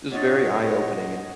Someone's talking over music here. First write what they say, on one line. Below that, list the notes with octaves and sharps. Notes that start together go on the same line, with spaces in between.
it was very eye opening, and
A#2 D4 C#5 D#5 F#5